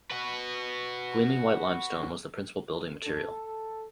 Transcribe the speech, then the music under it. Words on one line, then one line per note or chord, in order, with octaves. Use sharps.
Gleaming white limestone was the principle building material.
F#4 B4
A4